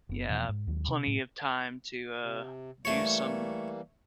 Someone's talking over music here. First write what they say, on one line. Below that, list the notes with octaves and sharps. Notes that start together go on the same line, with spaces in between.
yeah, plenty of time to, uh, do some
F#1 B3
E2 B2 F3
G#2
D#2 D#3 F#3 G#3
C3
A2 F#3
C3
E3 G3 A3 A#3 C#5